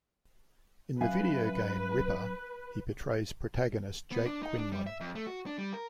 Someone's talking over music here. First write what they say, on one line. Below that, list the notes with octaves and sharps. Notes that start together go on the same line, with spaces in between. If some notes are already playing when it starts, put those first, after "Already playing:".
In the video game "Ripper", he portrays protagonist Jake Quinlan.
F#2 B4 E5 F5 G#5
B3
D4
D#4
D4
G3
E5
F2
A3
F#4
D4
G3
A#4